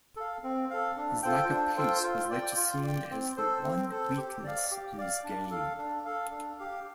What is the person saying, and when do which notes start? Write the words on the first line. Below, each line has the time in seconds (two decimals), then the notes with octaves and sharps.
His lack of pace was later seen as the one weakness in his game.
0.16 A4 F5
0.43 C4
0.70 A4 F5
0.97 D4
1.23 F4 A4 C5 G5
1.50 D4
1.77 F4 A4 C5 G5
2.03 F4
2.30 D5 G5
2.57 F4
2.84 D5 G5
3.11 C4
3.37 A4 C5
3.64 C4
3.90 A4 C5
4.17 G4
4.44 D5 F5
4.71 G4
4.98 D5 F5
5.24 D4
5.51 A4 F5
5.78 D4
6.05 A4 F5
6.31 D4
6.59 G4 F5